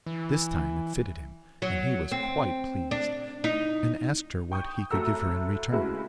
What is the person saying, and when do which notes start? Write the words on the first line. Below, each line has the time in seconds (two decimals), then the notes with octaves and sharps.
This time it fitted him, and he was quite pleased, and asked her what he could give her in return.
0.06 E3
1.62 F#3
2.12 C4
2.91 D4
3.44 D#4
4.52 G5 C#6 D#6 G6
4.91 A2 A3 F#4 A4 A#5 E6
5.72 C#3 G#3 A3 E4 F#4 B4